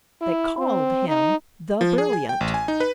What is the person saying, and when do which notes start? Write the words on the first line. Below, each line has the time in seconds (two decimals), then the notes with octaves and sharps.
They called him THE BRILLIANT.
0.21 E4
0.58 C4
1.08 D#4
1.81 F3
1.98 G#4
2.13 G#5
2.29 G5
2.41 A1
2.54 G#5
2.68 D#4
2.80 B4